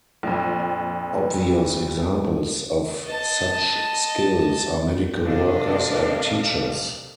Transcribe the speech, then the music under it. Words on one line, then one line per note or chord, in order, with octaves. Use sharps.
Obvious examples of such skills are medical workers and teachers.
A#1 F2
D#5 A5
C3 D4 A4 D#5 F5